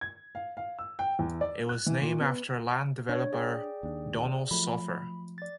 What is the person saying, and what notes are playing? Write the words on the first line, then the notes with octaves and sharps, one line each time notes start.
It was named after land developer Donald Soffer.
G#6
F5
F5
E6
G5
E2
D5
F#6
E3
A#2
B3
D4 C#5
G#4 D5 G5
D#2 D4
F3 F#3 A3 B5
D5 A6